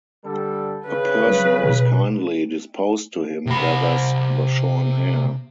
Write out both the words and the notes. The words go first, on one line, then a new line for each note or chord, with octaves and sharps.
A person who is kindly disposed to him gathers the shorn hair.
D3 G3 A4
C#3 B4
F#3
B2
C3 B5